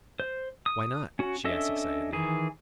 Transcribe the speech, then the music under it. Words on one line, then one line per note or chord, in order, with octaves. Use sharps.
"Why not?" she asked excitedly.
C5
D#6
C#4 F#4
C#4 D4 A4 D#5 E5
D#3 E3 G#4